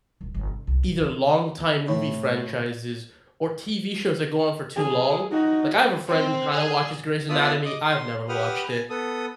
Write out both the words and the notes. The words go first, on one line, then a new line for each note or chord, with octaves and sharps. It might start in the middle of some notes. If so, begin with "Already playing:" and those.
either long time movie franchises, or TV shows that go on for too long. Like I have a friend who kind of watches Grey's Anatomy- I've never watched it-
D#1
G1
C3
C2
D1
E3
A2
G#4
D#4 F#4
C4
G#4
B3 F4 D5 E5 A5 D#6
D#5 D6 D#6
C6
G4 B4 F#5 D#6 F6
G#5
B3 A4 D#6